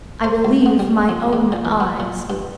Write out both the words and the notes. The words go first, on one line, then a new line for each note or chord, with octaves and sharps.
I believe my own eyes.
C5
C#2
B3
G3
F2
E2
A#2
E3
B3
A#2
G2